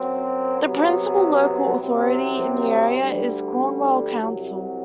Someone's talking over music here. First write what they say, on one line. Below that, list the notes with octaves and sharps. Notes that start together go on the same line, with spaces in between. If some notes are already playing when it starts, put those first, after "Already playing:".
The principal local authority in the area is Cornwall Council.
Already playing: F#2 F#3 C4 F#4
C3 F#3 B3
C2 C3 F#3 C4
D2 D3 G3
C2 C3 F#3